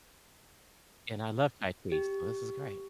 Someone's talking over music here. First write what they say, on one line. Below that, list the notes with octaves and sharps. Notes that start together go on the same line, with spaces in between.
And I love Tai Chi, so this is great.
G4